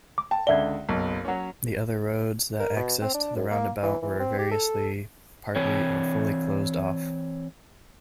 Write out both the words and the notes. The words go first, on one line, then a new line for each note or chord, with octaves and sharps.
The other roads that accessed the roundabout were variously partly or fully closed off.
D6
G5 A5
C#2 D3 D5 E5 G#6 G7
F#1 B1
F#3 C#4
A#4
B2
C4
D4
F#2
A#3
E3
E3
C4
G4
A4
E3 C4 C#5